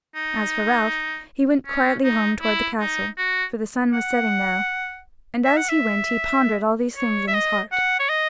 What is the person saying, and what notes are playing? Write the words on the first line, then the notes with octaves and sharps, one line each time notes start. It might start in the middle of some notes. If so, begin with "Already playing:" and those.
As for Ralph, he went quietly home toward the castle, for the sun was setting now, and as he went he pondered all these things in his heart.
D#4
C#4
D#4
E4
D#4
F#4
F#5
E5
F#5
E5
C#5
E5
D#5
F#5
C#5
D#5